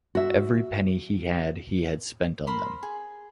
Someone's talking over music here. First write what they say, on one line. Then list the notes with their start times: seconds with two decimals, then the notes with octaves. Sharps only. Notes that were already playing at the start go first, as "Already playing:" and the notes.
Every penny he had he had spent on them.
0.15 F#4 E5
2.47 A#4 C5 B5 C6
2.83 G#4